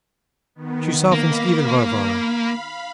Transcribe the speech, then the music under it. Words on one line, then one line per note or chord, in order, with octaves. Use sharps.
She softens even Varvara.
D#3 B3
A#3 F5 B5